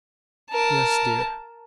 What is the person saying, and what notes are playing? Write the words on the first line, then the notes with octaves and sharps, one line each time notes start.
"Yes, dear!"
A#4 A5